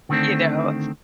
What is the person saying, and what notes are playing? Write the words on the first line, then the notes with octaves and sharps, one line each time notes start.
you know.
D3 D#3 G3 A3 C4 D4